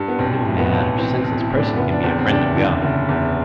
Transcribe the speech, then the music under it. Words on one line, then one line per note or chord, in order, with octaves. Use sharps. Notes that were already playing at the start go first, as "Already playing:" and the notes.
But no mad or senseless person can be a friend of God.
Already playing: G2
B3
B1 C4
A2
B3
B1
E3 C4
C4
B1
E4
A2
D4
F#1 B3
D4
E2 C4
C4
F#1 D4
D3 E4
F#1
E2